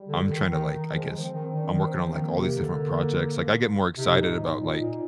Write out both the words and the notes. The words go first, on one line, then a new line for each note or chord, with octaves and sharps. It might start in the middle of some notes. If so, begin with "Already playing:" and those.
I'm trying to, like I guess, I'm working on like all these different projects. Like, I get more excited about, like,
Already playing: G3
D3
D#3
D#3
D#3
F3 G#3
D#3
F3
C4
D#3
D#3 D4
D#3
C4
F3
D#3 A#3
C3
D3
A#3
C3 D#4
A#2
G#2
G#2
A#2 D#4
A#2